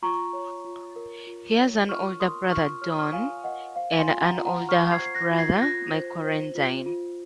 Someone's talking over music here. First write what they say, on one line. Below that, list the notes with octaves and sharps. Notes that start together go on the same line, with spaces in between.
He has an older brother, Don, and an older half-brother, Michael Rendine.
F4 A#5 C#6
C#5
F4
A#4
F4
C#5
F4 C#6 F6
A#4 C6 D#6
F4 C#6 F6
C#5 F6
D#6
C#6 F6
F4 F5 G#5
A#4 D#5 F#5
C5 F5
G#5 C6
F4
F#5 A#5
F4
F#5 A#5
C5 C#6 F6
G#6 C7
C5
C7
F#6 A#6
F4
G#6 C7
F4 F#6 A#6
C5
C5
F4
F4